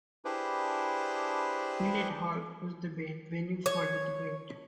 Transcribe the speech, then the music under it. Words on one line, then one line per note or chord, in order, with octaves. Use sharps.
Willett Hall was the venue for the debate.
D4 E4 G4 G#4 B4 C5
C#5